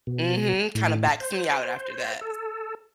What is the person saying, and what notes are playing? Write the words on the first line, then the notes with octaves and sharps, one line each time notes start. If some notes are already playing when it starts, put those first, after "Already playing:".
Mhm. Kinda backs me out after that,
B2
A2
C5
A4